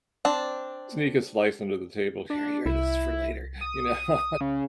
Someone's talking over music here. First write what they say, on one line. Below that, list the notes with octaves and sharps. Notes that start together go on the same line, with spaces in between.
Sneak a slice under the table. "Here, here, this is for later." You know?
C4 D4 A5
D4
C2 E4
D#6
C#3